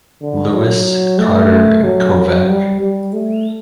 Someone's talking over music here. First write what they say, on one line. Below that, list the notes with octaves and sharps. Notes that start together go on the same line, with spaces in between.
Lewis, Carter, and Kovac.
D3
F#3
A3
F#3
G3
G3
A3